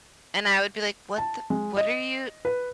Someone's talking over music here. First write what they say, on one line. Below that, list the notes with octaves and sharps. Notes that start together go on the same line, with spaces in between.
And I would be like, "What the what are you
A5
G#3
D#5
B4